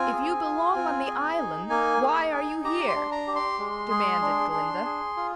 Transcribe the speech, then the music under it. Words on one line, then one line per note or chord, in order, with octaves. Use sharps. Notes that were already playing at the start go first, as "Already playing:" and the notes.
"If you belong on the island, why are you here?" demanded Glinda.
Already playing: C4 F4 G#5
G#4
F4
C4
G#4
D#4
A#3 G#5
G#4
D#4
G4 A#5
C6
D4
A#5
G4
C6
G#3
G#4
D4
D4
G#4
F4